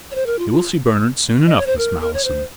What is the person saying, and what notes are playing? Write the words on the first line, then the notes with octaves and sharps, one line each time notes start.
"You will see Bernard soon enough, Miss Malleson."
C#5
C5
A#4
F4
F4
D#5
C#5
C5
A#4
A#4
C#5
C5